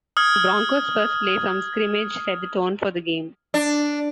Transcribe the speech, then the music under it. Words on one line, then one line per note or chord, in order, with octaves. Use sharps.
The Broncos' first play from scrimmage set the tone for the game.
D#6 F6 G#6
D4